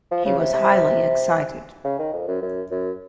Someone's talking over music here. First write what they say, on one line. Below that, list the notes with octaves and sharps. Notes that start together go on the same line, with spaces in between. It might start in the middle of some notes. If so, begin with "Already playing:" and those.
He was highly excited.
F3
C#3
C3
C3
C#3
D#3
F2
F#2
F#2
F#2